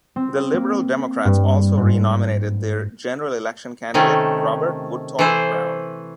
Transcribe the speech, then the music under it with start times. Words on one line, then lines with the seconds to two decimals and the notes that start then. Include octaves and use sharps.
The Liberal Democrats also renominated their general election candidate, Robert Woodthorpe Browne.
0.16 C4
0.54 A#3
1.25 G2
1.77 G#2
3.94 C3 D#3 A3 C#4
5.19 E3 A3 E4 C5